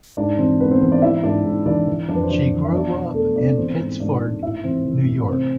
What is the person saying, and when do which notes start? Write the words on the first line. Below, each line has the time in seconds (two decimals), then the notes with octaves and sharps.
She grew up in Pittsford, New York.
0.17 G#2 D4 D5
0.38 E3 C4 C5
0.60 G#2 B3 B4
0.70 C4 C5
0.81 E3 C4 C5
0.92 D4 D5
1.02 E3 E4 E5
1.24 G#2 D4 D5
1.45 G#2
1.66 E3 D4 D5
1.87 E3
2.08 F2 D4 D5
2.16 B4
2.23 C5
2.30 E3 D4 D5
2.51 E3
2.64 E5
2.72 E2 D4 D5
2.94 B2
3.14 E2 A3 A4
3.36 B2 D4 D5
3.57 E3 C4 C5
3.79 G#2
4.00 G#2 D4 D5
4.22 G#2
4.43 A2 E4 E5
4.64 E3 C4 C5
4.85 E3
5.06 A2
5.28 C3 C4 C5